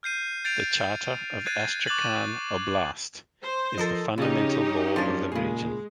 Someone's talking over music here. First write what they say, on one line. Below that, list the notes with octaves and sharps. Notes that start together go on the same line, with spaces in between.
The Charter of Astrakhan Oblast is the fundamental law of the region.
F6 G6 C7 D#7
G6 A6 C7 D7 F7
F#6 G#6 A6 C7 D#7
C#6 D6 F#6 G#6 A6 F#7
A6 D#7
C5
F3 A4 A#4 D#5
F2 C#3 C#4 D#4 G4 D#5
F#2 F3 A#3 D4
A#2 C#3 G#3 G#4